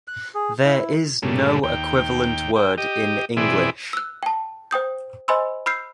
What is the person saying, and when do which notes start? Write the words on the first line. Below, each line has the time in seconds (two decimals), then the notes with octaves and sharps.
There is no equivalent word in English.
0.08 F#6
0.34 G#4
0.65 E4
1.22 G2 A#2 C#3 A3
1.63 D#2 G5
2.56 G5
2.78 G4 D#5
3.37 B2 E3 C4 E4 G#4 D5
3.93 E6 F#6
4.23 G5 A5
4.71 C5 G5 D#6 G6
5.28 C5 D#5 G#5 B5 C6 E6
5.66 B5 E6 F6 G6 C7